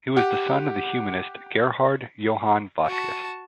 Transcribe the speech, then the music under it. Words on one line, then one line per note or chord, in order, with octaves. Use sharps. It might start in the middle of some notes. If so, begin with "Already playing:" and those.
He was the son of the humanist Gerhard Johann Vossius.
G4 F#5
F#4 A5